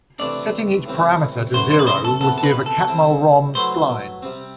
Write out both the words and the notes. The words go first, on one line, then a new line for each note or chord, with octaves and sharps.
Setting each parameter to zero would give a Catmull-Rom spline.
C3 E3 A3 D4 D5
A2 E3 G3 C4
F#2 E3 A3 C5
C5
B4
C5
A4
C3 E3 B3 A4
A4
B4
A4
G3 C4 E4 G4 C5
F#3 A3 E4 B4 C5
C3 G3 C4